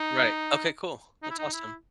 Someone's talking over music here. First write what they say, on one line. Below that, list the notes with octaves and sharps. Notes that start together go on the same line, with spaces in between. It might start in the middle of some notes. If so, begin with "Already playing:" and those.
Right. Okay. Cool. That's awesome.
Already playing: D#4
D#4
E4
D#4
E4